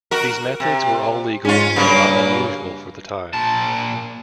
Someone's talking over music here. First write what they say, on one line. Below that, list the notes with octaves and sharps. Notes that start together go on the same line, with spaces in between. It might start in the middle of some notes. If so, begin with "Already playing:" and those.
These methods were all legal and not unusual for the time.
F#4 A#4
C3
G#2 C#4 F4
G2 C#3 F#3 A#3
A#2 A5